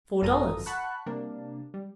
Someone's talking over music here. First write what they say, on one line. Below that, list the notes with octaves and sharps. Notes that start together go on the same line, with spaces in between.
"Four dollars."
G#1 F#2 F4 A4 A#5 D#6
F#5 A5 B5 C#6 F#6
C3 G3 A#3 D4
G3